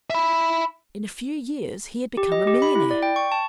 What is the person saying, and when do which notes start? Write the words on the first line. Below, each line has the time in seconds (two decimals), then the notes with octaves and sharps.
In a few years, he had become a millionaire.
0.10 E5 B5
2.17 G4
2.32 D#5
2.47 G4
2.62 B5
2.75 E4
2.91 D5
3.03 G5
3.16 C#6
3.32 A5